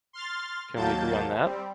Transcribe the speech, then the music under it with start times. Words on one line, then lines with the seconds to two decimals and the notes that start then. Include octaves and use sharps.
Can we agree on that?
0.13 C6 F6 A6
0.75 D#2 F#3 A#3 A5 G6 A6
1.42 G3 C4